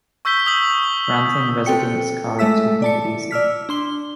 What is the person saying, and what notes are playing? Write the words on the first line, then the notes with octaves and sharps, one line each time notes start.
Granting residence cards would make it easy.
C#6 E6 G6 B6 G7
D#6 G6 B6 F#7
C4 A4 G5 C#7
G#3 A3 A4 E5 E6 B6
D5 A5 C#7
D5 E6 F6 B6
D4 C6 G7